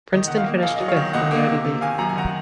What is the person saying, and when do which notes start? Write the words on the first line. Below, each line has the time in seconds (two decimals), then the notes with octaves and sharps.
Princeton finished fifth in the Ivy League.
0.12 D#3 D#5
0.28 D#3 F#5
0.37 F5
0.46 A#3 D#5
0.62 A#1 F5
0.76 F#3 D#5
0.88 C#5 F5
0.97 D#3
1.13 C#2 D#5 F#5
1.31 A#3
1.47 C3
1.64 C3
1.81 D#3 F5 G#5
1.98 F#2 A#5
2.09 G#5
2.16 D#3 F#5 A#5